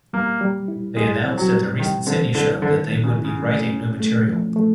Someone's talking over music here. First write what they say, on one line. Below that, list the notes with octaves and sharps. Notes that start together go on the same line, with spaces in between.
They announced at their recent Sydney show that they would be writing new material.
G3 A#3
G3
E4
G#3 E4
C4
F#3
G3
D#3 G3
D3 C4
D3 E4
D3 D#3
D#3
C#3
E4
C#3
A3
C#4
A3
F3
A3